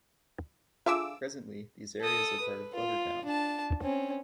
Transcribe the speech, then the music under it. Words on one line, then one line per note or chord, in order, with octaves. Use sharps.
Presently these areas are part of Glovertown.
D3 F4 G#4 E5 D6 E6
A4 D#6
B4
F4
D4 A5
C4 C#4